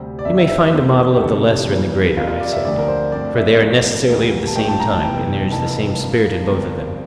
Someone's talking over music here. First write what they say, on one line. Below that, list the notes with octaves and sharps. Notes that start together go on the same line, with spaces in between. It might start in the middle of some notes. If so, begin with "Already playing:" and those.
You may find a model of the lesser in the greater, I said; for they are necessarily of the same type, and there is the same spirit in both of them.
Already playing: D2 C3 G3 C4
D5
F2 D3 G3 A#3 E5
E5
E5
C5
F1 E2 C3 E3 A#3
G4
F1 F2 D3 A4
E2 E3 G3 A#3
F2 C3 G3 A#3 F4
F4
D5
E5
D2 D3 F3 C4 D5
A#4
C5
G2 F3 A3 C4 D5
E5
A1 G2 F3 A#3
D2 C3 E3 A#3
A5
A1 A2 F3 G5
A5
A#5
A5
F1 E2 E3 G5
F1 F2 E3 A#3 A5
G2 F3 A#3
G1 G2 F3 C4 A#4